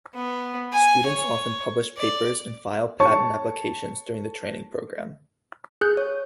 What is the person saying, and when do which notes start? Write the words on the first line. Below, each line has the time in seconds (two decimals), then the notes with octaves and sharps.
Students often publish papers and file patent applications during the training program.
0.15 B3
0.72 G#5
1.06 C#5
1.97 D5
3.00 C#5 A5 C#6
5.81 G#4 F#6 G6
5.97 C#5